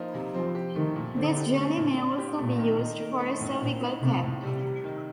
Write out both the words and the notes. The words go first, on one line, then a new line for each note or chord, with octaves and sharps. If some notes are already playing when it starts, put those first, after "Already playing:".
This jelly may also be used for a cervical cap.
Already playing: F3 A#3 D#4
C3
F3 C4
G4
D#3 A3
A#2
D3 C4
G4
A3
A#2
D4
G4
A#2 A3
D#3
D#4
A#4
A3
A2
A#2 C4
D#4
C3 A3
A2
C3 G3
C3
D#3